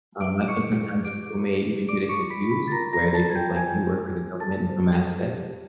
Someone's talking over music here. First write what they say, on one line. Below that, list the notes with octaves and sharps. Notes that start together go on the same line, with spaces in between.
Um, I think sometimes people may even get it confused where they think, like, you work for the government in some aspect,
B4 D6 D7
E4 C#6 C#7
E4
G4 D6 D7
B4
E4
D5 D6 D7
C#6 C#7
F4
B5 B6
F4
B5 B6
A6
A#4 A#5 A#6
A#5 A#6
D5
A5 A6
F4 G#6
G5 G6
C5 G#5 G#6
F#4
F#4
A4 A5 A6
C5
F#4
G4
C5